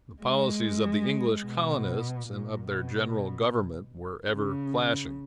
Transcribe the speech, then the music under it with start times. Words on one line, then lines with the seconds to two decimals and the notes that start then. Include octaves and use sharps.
The policies of the English colonists and of their general government were ever clashing.
0.23 G#3
1.45 B2
2.27 A#2
2.68 B2
4.32 C#3